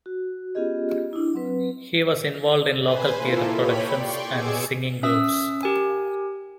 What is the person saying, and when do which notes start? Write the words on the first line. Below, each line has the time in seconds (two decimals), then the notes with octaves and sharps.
He was involved in local theater productions and singing groups.
0.06 F#4
0.55 B3 C#4 F4 G4 G#4 D#5
1.13 D4 E4
1.34 F#3 C4 B4
2.81 B4 C5 G#5
3.18 A#3 E4 F4 A4
3.51 G4 C#5 B5
3.93 D5 G5 C6 C#6
4.29 B2 G#4 D6 E6 G#6 C#7
5.03 C#4 E5 D#6 E6
5.63 G4 A#4 G#5